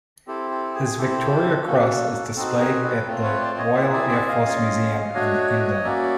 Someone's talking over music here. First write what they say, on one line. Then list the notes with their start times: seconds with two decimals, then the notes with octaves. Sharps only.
His Victoria Cross is displayed at the Royal Air Force Museum in Hendon.
0.28 C4 E4 G4 A4
0.51 A4
0.74 G#4
0.97 C4 E4 G4 A4
1.67 A#3 C#4 F#4
2.36 C4 D#4 F#4 A4
2.60 G#4 A#4
2.83 A4 B4
3.06 A3 C4 F4
3.23 B4 C#5
3.40 C5 D5
3.58 C#5 D#5
3.75 C4 E4 G#4 D5 E5
3.93 D5 E5
4.10 D5 E5
4.27 D#5 F5
4.45 C#4 F4 G#4
5.14 A3 D4 F#4 C#5 D#5
5.84 A#3 C#4 F#4 D5 E5